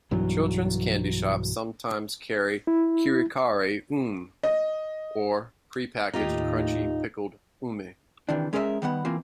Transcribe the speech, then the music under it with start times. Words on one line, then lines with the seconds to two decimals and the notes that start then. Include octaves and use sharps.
Children's candy shops sometimes carry "karikari ume", or prepackaged, crunchy pickled ume.
0.11 B1 G2 E3 F#3
2.67 E4
4.43 D#5
6.13 D#2 A2 D#4 F4 G4
8.29 C3 D#3 E3 D4
8.53 G#3 C#4 G#4 A#4 C5 E5
8.82 D#3 G3 B3 F#5
9.05 E3 A#3 C4 F4